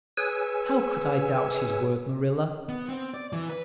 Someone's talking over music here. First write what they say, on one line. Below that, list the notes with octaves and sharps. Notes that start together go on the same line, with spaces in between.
How could I doubt his word, Marilla?
G#4 B4 C#5 G#5 E6
B3
C4
D5
E3
B4